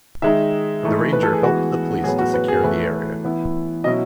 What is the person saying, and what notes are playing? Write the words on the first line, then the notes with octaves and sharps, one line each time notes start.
The Ranger helped the police to secure the area.
D#3 G#3 D#4 E5
E3 A3 D#4
B4
A4
G#4
E3 G#3 B3 F#4
A2 F#3 B3 G#4
F#4
B4
G#4
E3 A3 E4 B4
E3 B3 E4
B2 F#3 C#4 E4 D#5